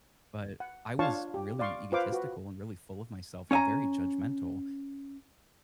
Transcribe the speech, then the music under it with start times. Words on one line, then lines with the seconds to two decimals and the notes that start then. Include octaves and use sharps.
but I was really egotistical, and really full of myself, and very judgmental.
0.60 F#5
0.99 D4 F4 C#5 F5 A5 C#6
1.34 G4
1.59 D5 F5 C6 C#6
1.92 F4 B4 C5 F5 D6
2.12 F#4 B4
3.51 C#4 C#5 D#5 G#5 A#5